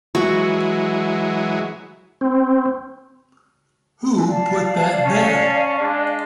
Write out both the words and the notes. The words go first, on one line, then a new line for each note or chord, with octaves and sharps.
Who put that there?
E3 F#3 G#3 F#4
C4
D5 F5 A5
C#4
G#3 D4